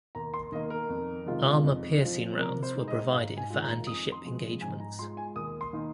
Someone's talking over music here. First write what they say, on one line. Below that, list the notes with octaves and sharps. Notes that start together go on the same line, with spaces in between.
Armour piercing rounds were provided for anti-ship engagements.
D#2 A#5
C6
D#3 A#3 D#5
A#4
F2
C3 D#3 G#3 F4
F2
F3 C4 F4
C3 A#4
C5
G#3 D#4
D#5
G#2 F5
G#5
D#3 G#3 F4
A#5
F2 D#6
C6
C3 F3 G#3
G#2 G#5
A#5
G#3 F4 C6
G#5
D#2 D#6
C6
D#3 A#3 D#4